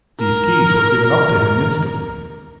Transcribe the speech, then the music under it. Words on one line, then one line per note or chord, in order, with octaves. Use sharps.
These keys were given up to him instantly.
A#4